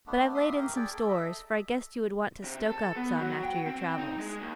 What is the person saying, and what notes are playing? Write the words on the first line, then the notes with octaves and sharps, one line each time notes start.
But I laid in some stores, for I guessed you would want to stoke up some after your travels.'
A3 B3 D4
E5 C6 D#6
A#3 G4 A#4
G#4 A4 D5 G5
A4
A4 D#5 E5
C3
A4
B3
F#3
G5
C4
D#4
G#3
D#2